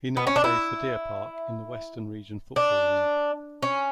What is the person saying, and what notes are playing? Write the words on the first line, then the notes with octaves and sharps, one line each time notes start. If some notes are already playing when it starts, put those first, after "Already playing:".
He now plays for Deer Park in the Western Region Football League.
B3
C#4
D4
E4
D4
C#4